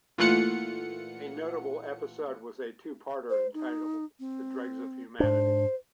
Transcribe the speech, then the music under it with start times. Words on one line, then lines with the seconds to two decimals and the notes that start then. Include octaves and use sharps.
A notable episode was a two-parter entitled "The Dregs of Humanity".
0.18 A#2 E3 A3 F4 F#5 C#7
3.30 C5
3.54 D#4
4.20 C4
5.20 G#2 D4 C5